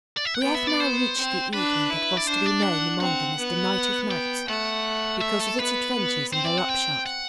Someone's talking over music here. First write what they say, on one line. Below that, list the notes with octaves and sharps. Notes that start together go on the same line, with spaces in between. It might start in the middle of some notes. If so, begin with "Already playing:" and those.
We have now reached the evening that was to be known among them as the Night of Nights, because of its adventures and their upshot.
D5
E5
F#5
B3 G5
E5
D5
C5
C4
D4 B4
E4
D5
D4 C5
D5
F#5
C4 F#5
B3
G5
A3 F#5
E5
A4
B3 B4
B3
C4 C5
D5
F#5
G5
F#5